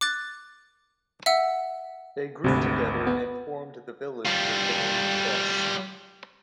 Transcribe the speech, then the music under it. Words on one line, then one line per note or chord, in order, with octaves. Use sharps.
They grew together, and formed the village with the name Best.
D6 F#6 A6
E5 F#5 E6
G#1 D2 C3 B4
B3
G3 F4